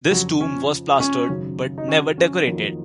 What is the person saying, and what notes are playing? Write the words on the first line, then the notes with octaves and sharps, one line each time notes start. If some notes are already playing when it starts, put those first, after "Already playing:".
This tomb was plastered, but never decorated.
F2 C#3 F3 F#3
C#4
C#4
G#1 F#2 C#3
D#4
C#4
C#4
F2 D#3 F#3 A#3 D#4